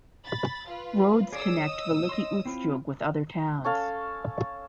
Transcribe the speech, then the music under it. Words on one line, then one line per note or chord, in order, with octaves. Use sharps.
Roads connect Veliky Ustyug with other towns.
B5 A6
F4 B4
G#4 C#5 D5 D#6 E6
D#5
D#5 C6
C4 E4 F4
C#4 A4 F5